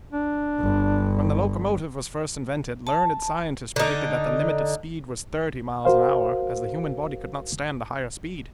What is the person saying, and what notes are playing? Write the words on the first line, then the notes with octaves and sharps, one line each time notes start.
When the locomotive was first invented learned scientists predicted that the limit of speed was thirty miles an hour, as the human body could not stand a higher speed.
D4
G1
A5
D3 D#4
F#4 A#4 C5 F5